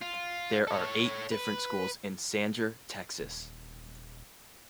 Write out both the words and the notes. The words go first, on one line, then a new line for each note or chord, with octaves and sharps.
There are eight different schools in Sanger, Texas.
F4
A4 C#5
B4
D#1